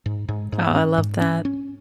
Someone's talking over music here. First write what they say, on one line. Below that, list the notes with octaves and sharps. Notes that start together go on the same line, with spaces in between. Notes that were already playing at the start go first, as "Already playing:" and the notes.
Oh, I love that.
G#2
G#2
G#2
C#4
G#2
C#4
C#4